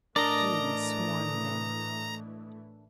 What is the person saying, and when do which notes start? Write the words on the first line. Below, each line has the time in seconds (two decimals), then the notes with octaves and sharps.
Genii swarm there.
0.16 A2 E3 A3 D4 A#4 D5 D#5 A#5